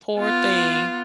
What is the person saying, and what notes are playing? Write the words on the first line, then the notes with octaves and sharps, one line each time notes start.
Poor thing,
B3 F4